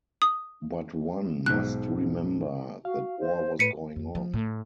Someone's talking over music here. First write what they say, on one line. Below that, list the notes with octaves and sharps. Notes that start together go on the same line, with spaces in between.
But one must remember that war was going on.
D#6
B1 G#2 F#6
F#4 F5
C5
A2 B4 B6 C#7 D#7
F2
F3
A2